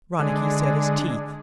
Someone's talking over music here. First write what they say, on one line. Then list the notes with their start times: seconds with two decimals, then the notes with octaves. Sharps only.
Ronicky set his teeth.
0.19 D3 G#3